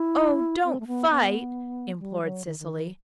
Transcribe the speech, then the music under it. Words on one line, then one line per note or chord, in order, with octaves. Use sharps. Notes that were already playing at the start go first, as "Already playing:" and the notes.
"Oh, don't fight," implored Cecily.
Already playing: E4
C4
A3
B3
B3
G3
F#3
D#3
D#3
E3